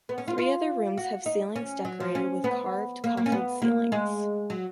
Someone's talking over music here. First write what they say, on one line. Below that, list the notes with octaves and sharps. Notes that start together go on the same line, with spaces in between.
Three other rooms have ceilings decorated with carved coffered ceilings.
B3
C#4
F4
F4
F#4
D#4
C#4
F#3
F3
C#4
B3
A#3
A#3
C#4
B3
A#3
G#3
F#3